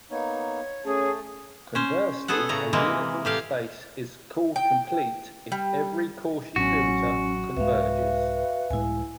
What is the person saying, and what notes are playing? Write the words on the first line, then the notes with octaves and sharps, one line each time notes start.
Conversely, a uniform space is called complete if every Cauchy filter converges.
A#3 B3 D#4 C#5
A3 C#4 G#4 A5
C#4 C5
B3 G#4 A4 F#5
A2 C#3 A#5
C3 E3 G#3 A#3
A2 G4 F5
G5
G3
A1 F#3 B3 C#4 D4 F#4
C2 G#2 G#3 B4 E5 F5
C#2 A2 G#3 E4 G#5